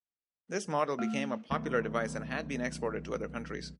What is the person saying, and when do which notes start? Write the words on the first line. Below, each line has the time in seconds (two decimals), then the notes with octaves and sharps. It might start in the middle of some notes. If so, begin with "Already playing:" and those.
This model became a popular device and had been exported to other countries.
0.99 A3
1.50 B1 D#3 A3 B3